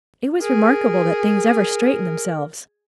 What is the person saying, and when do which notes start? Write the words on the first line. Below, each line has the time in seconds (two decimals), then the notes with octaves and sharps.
It was remarkable that things ever straightened themselves.
0.41 G#4 A#4